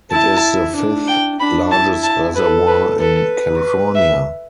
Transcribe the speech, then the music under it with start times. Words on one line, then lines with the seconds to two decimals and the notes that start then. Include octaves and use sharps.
It is the fifth largest reservoir in California.
0.11 E4 A5
0.75 D4
1.08 G5
1.39 D4 B5
1.71 E4 A5
2.03 A5
2.35 A4 B4
2.67 B4
3.00 A4 B4
3.95 E5